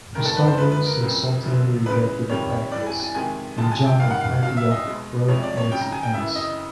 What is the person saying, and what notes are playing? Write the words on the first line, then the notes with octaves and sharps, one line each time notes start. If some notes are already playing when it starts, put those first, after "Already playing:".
Christodulus insultingly rejected the practice, and John of Antioch wrote in its defence.
G2 D#3 G#3 A#4
A4
B4
C5
F#2 D3 F3 G#3 B4
B4
A#4
F2 C#3 F#3
F#2 D3 F#3
E2 C#3 E3 G#3 B4
F2 C3 D#3 G3 C#5
C#5
G2 E3 G3 D5
G#5
G#5
F2 C3 D#3 G#3 G#5
G2 D3 F3 G#3 A5
G#5
G5
G2 D#3 G3 F5
F#5
F5
B2 F#3 F5
E5
D#5
B2 G#3
F2 C3 F3 G#3 C#5
D5
C#5
F2 C#3 F#3 G5
A#5
G#5
G5
F#2 C#3 E3 E5
D#5